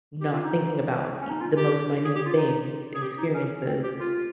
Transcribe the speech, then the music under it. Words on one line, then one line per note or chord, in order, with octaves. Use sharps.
not thinking about, y the most minute things and experiences.
G4
F4
D#4
C#4
D#4
F4
G4
G#4
G4
F4
D#4
G#4
G4
D#4
C#4
C4
G4
F4